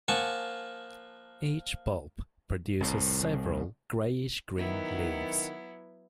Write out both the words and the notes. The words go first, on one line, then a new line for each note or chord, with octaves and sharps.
Each bulb produces several greyish-green leaves.
F3 A#3 F#5 G#5 A5 C#6
C2 A2
D#3 F#3 B3 E4